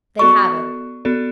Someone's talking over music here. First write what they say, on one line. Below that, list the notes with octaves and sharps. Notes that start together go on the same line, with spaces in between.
They have it.
B3 F#4 A4 D5 C#6
B3 F#4 A4 D5